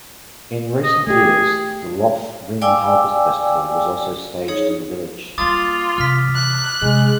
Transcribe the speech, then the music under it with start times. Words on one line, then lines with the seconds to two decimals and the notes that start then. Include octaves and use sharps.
In recent years the Lough Rynn Harvest Festival was also staged in the village.
0.84 D#5
1.07 A3 G4 G#4
2.62 D5 F5 G5 G#5 D6 E6
4.48 D#4 G#4 C#5
5.38 G3 A#3 F4 D6 D#6 A6
5.98 C3 E3 F6 B6
6.35 F#6
6.82 C3 G#3 D#4